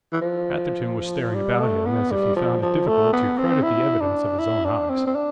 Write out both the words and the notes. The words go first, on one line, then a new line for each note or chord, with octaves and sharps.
Atherton was staring about him as if he found it difficult to credit the evidence of his own eyes.
E3
F3
G3
A3
B3
G3
F3
F3
A3
B3
C4
E4
D4
E4
D4
C4
C4
D4